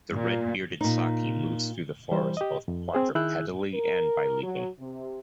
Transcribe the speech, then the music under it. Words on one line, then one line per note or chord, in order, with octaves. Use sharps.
The red-bearded saki moves through the forest both quadrupedally and by leaping.
A#2
A#2 D#4
E3 G3 C5
G4 D#5
F2
C4 G#4 C5
D#3 E4 G#4 E6 F#6 G6
A#4
F#3
C3